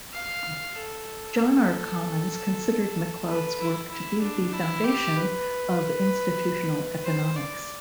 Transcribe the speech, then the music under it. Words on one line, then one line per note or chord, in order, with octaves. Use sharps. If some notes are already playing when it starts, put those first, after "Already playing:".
John R. Commons considered Macleod's work to be the foundation of Institutional economics.
F5
A4
B4
E4
E4
D4
E4
G4
B4
C5
D5